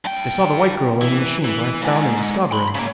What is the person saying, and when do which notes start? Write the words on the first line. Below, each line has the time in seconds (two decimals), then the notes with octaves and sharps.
They saw the white girl in the machine glance down and discover him.
0.05 G2 G5
1.01 E3
1.44 E3
1.82 F2 G#2
2.52 B5 C6
2.75 C#3 A#3